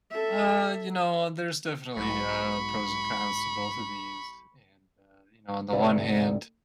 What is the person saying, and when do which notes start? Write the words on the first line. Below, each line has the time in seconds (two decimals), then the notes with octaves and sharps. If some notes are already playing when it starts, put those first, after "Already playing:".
Uh, you know, there's definitely, uh, pros and cons to both of these, and, uh, you know, on the one hand,
0.11 A4 E5
1.97 B1 G#2 B5 C#6
5.72 D2 A2 C3 B4 D5 E5